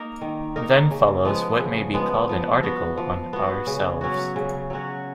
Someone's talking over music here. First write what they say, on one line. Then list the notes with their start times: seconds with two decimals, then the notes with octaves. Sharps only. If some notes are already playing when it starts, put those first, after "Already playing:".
Then follows what may be called an article on "Ourselves".
Already playing: A#3 D#4 A#4
0.21 D#3
0.56 A#3 D#4 A#4
0.91 C#3
1.25 F3 G#3 B3
1.59 C#3
1.94 F3 G#3 B3
2.29 F3
2.63 B3 F#4
2.97 F3
3.33 B3 F#4
3.67 C#3
4.01 F#3 C#4 F#4
4.36 C#3
4.70 F#3 C#4 F#4